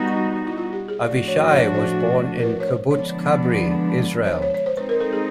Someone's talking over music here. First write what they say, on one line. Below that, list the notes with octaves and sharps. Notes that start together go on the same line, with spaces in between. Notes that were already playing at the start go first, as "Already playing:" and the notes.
Avishai was born in Kibbutz Kabri, Israel.
Already playing: G3 B3 D#4 F#4
E4
F4
G4
G#4
A2 F3 A3 D4 F#4 D5
C#5
C#5
C5
A#4
B4
C#5
C5
D3 F3 G#3 B3 D4 C#5
C5
C#5
C#5
C#5
C5
G#3 C4 D#4 B4
A#4
A4
G#4